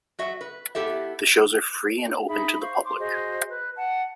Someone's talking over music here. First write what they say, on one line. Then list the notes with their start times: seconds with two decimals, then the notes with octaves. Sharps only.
The shows are free and open to the public.
0.19 F#3 F#4 E5
0.41 B4
0.75 B3 E4 G4 A4 E5
2.28 D#4 G#4 E5 B5
2.60 C5 F5 C#6
2.85 C6 D6
2.99 F#4 G#4 C5 D#5
3.49 B4
3.76 F#5 A5